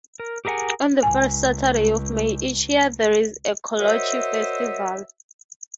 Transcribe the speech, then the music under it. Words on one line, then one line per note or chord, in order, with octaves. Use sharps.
On the first Saturday of May each year there is a 'Kolache Festival'.
A#4
G4 G#4 A#4 E5 F#5 G#5
C#2 G#5
F#4 A#4 C5 C#5 D#5 E5